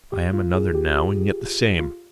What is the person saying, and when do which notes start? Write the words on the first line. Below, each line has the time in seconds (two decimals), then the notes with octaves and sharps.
I am another now and yet the same.
0.12 G4
0.33 F4
0.54 G#4
0.74 G4
0.96 G4
1.79 F4